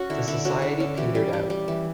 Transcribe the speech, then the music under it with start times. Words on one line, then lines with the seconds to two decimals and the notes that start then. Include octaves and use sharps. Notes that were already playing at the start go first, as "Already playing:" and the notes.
The society petered out.
Already playing: C#4 F#4
0.10 D3 E4
0.28 D3 E4
0.45 C#4 F#4
0.62 D3
0.80 C#4
0.97 E3 G4
1.15 G3
1.33 G3
1.50 G3
1.68 E3